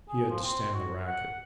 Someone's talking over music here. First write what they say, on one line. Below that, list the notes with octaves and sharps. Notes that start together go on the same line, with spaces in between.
He had to stand the racket.
G#4
F3
C4
F#4
F#5